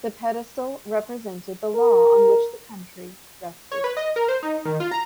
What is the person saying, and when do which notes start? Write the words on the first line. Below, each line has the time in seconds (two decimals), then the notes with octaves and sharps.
The pedestal represented the law on which the country rested.
1.75 A#4
3.72 C#5
3.84 B4
3.97 D#5
4.16 A#4
4.29 C5
4.43 D#4
4.65 D#3
4.80 F4
4.91 A#5